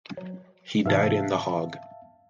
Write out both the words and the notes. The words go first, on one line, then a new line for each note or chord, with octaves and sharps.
He died in The Hague.
F#3
G#2 C3 E3 E5 F5 A5